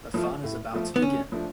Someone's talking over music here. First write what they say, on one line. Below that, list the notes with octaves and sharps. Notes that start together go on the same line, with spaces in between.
The fun is about to begin.
F3 A3 F4
A2
F3 A3 F4
B3
D3 C#4
F3 A3 D4 F4